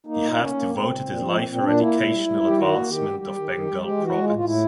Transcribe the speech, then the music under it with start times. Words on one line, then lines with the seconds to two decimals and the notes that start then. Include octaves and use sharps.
He had devoted his life for educational advancement of Bengal province.
0.07 A#3 D#4
0.22 A#2
0.37 A#3 C#4
0.54 A#3
0.69 A#2 C4
0.85 A#2
1.00 A#2
1.16 F3
1.32 A#2 C4
1.48 A#2 C4
1.63 A#2 D4
1.78 A#3 E4
1.94 A#2
2.11 G3
2.26 G3
2.42 G3 G4
2.57 D#3 F#4
2.73 A#3
2.88 D#3 G4
3.05 G3
3.19 G3 G4
3.36 D#3
3.51 D#3
3.67 G3
3.82 G#3 G4
3.98 E3
4.03 F#4
4.14 G#3
4.24 F4
4.30 A2
4.36 F4
4.44 A2 E4